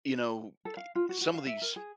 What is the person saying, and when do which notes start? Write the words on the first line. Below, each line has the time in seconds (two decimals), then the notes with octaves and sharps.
you know, ye some of these
0.65 A4
0.77 F5
0.95 F4
1.09 F#4
1.21 F#4
1.34 F5
1.47 E5
1.62 A#4
1.76 G#4